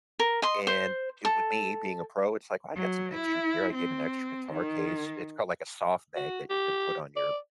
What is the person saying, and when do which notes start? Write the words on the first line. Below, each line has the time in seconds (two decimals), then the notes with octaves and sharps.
and it would me, being a pro, it's like, I got some extra gear. I gave him an extra guitar case. It's called like a soft bag that you can put on your
0.19 A#4
0.42 D#5 C6
0.67 C5
1.25 A4
2.76 F#3
3.14 E4
3.74 C4
4.52 D#3
6.16 F#4
6.50 G4
7.16 D5